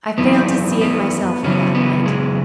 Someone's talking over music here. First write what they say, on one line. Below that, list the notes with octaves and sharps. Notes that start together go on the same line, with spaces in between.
I failed to see it myself in that light.
F#2 E3 B3
B3
F#2 C#3 E3 C#4
B3
G#3